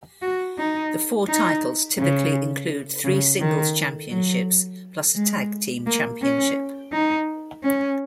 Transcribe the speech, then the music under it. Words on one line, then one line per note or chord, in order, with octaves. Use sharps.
The four titles typically include three singles championships plus a tag team championship.
F#4
D#4
D#4
C#3
C#3
D#3
F#3
G#3
A#3
C#4
D#4
C#4